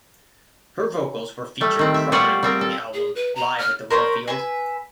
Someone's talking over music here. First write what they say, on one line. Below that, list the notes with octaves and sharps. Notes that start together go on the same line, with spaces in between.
Her vocals were featured prominently on the album "Live at the Warfield".
G3 A3
D#3 C4
E5
G3 B3 F4 F#4 C5 D5
G3 C4 A#4
A4
G#4
B4
A#5
F6
A#4 C5 C#5 B5
B4 E5 G#5